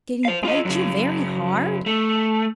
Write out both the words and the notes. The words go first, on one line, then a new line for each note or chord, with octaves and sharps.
"Did he bite you very hard?"
C5 F5
F4 D#5
F#2 C#3
A3